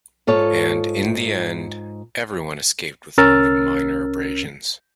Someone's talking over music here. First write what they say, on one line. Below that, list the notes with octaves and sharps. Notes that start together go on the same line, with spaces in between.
And in the end, everyone escaped with only minor abrasions.
G#2 F4 A4 C#5
C2 C#4 A#4 E6 F6 A6